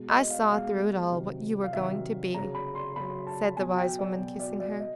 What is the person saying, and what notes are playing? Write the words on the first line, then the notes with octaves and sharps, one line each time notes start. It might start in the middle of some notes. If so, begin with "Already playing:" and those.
"I saw, through it all, what you were going to be," said the wise woman, kissing her.
Already playing: B2 G#3
D#5
F5
B2 G#3 F5
C3 D#3 F#3
F5
C3 D#3 F#3 E5
C#3 F#3 A#5
B5
C6
C#3 F#3 B5
A5
B2 F#3 G#5
G5
D5
B2 F#3
D5
D5
D#5